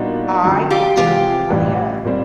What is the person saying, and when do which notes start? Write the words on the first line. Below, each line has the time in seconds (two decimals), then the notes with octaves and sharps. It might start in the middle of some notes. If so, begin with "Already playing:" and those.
I could turn my head.
Already playing: A#2 G3 B3 D4 D#4 F4 F#4
0.43 F#2 D3 F3
0.70 F4 G4
0.97 C3 E3 G#3 C4 F4 G4
1.50 A1 A2 E3 G3
2.05 A#2 G3 C4